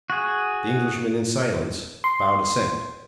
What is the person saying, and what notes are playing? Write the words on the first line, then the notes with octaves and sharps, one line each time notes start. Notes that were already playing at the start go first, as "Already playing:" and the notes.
The Englishmen, in silence, bowed assent.
F#4 G#4
C6